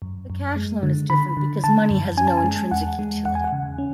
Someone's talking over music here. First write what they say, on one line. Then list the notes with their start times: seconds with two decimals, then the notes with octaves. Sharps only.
The cash loan is different because "money has no intrinsic utility".
0.02 F#2
0.30 F#2
0.56 G#3
0.83 D3
1.10 D3 B5
1.37 D3
1.64 D3 A5
1.90 F#2
2.17 C#4 G#5
2.27 A5
2.37 G#5
2.44 G#3
2.71 E2 F#5
2.99 G#3
3.25 E2 F#5
3.35 G#5
3.44 F#5
3.52 C#3
3.78 C#4